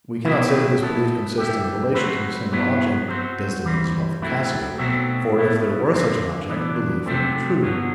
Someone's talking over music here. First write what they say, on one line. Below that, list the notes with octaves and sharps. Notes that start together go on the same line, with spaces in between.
We cannot say that this belief consists in a relation to a single object, 'Desdemona's love for Cassio', for if there were such an object, the belief would be true.
C2 B2 F#3 C4 E4
F#3 B3 E4 A4
D3 A3 E4 G4
F#3 A3 C4 F#4 B4
G2 F#3 B3 E4
F#3 C4 F#4 C5
G2 E3 G3 C4
F#3 A3 C4 E4
B1 B2 F#3 A3 C4
B1 B2 F#3 A3 E4
D3 F#3 C4
E3 B3 D4
C3 F#3 A3 C4
G2 D3 F#3 B3